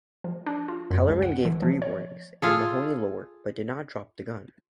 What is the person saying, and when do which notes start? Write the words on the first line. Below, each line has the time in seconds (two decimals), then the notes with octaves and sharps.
Kellerman gave three warnings, and Mahoney lowered, but did not drop, the gun.
0.24 F3
0.46 D4
0.68 F4
0.91 F#2
1.09 C#2
1.22 F#5
1.45 E3
1.62 F3
1.82 C#5
2.42 F4 G#4 A4